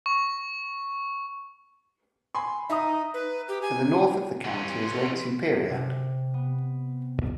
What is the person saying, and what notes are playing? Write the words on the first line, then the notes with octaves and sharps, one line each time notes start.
To the north of the county is Lake Superior.
C#6
G#5 B5 C6
D#4 E5 A#5 D#6
B4
G4
G#5
E3 C#4 C6
C3
B3